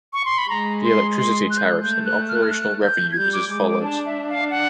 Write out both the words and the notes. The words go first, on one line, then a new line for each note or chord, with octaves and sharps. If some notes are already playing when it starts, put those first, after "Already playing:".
The electricity tariffs and operational revenue was as follows.
C#6
C6
B5
G#3 A#5
C6
C6
F#6
G6
F#6
A3 G6
F#6
F6
F#6
F6
F#6
G6
G#6
G3 G6
D6
G#3 D6
D6
D4 A5
E5
F5
F#5